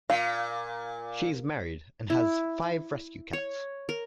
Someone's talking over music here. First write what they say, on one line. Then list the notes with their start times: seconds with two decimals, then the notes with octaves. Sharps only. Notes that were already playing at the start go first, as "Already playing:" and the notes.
She is married and has five rescue cats.
0.10 A#2 F5
2.10 E4
3.33 C#5
3.89 A#4